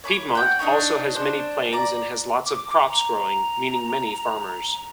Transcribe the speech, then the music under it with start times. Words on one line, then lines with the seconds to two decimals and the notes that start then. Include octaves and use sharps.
Piedmont also has many plains and has lots of crops growing, meaning many farmers.
0.04 C#5 B5 D6
0.35 F#5 G5
0.59 D4 D#4 B4 C#5
1.15 D4 C5
1.73 D5 A#5
2.45 D6
2.88 A#5